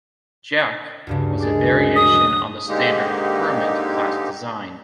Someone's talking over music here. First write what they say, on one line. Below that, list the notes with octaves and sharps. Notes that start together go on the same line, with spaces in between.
"Jack" was a variation on the standard "Permit"-class design.
D2 G2 C#3
F#2 G#3 G#4 D6 A6
D#6
F#3 D#5
G#2 D3 G#3 A#3 D#4 G4